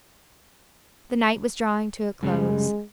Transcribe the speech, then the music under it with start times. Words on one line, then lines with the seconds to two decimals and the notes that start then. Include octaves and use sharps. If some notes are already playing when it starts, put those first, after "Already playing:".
The night was drawing to a close.
2.23 F#2 C#3 G3 G#3